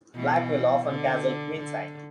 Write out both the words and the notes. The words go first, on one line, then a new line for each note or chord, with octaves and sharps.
Black will often castle queenside.
B2 E3
D3
D3